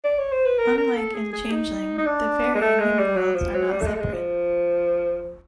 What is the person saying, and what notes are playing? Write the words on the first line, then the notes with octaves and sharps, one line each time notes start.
Unlike in Changeling, the faerie and human worlds are not separate.
D5
C#5
C5
B4
A#4
A#4
A4
G#4
G#4
D#4
D#4
D4
G#3
A3
G#3
G3
F#3
F3
F#3
G3
A3
G#3
A3
G#3
F3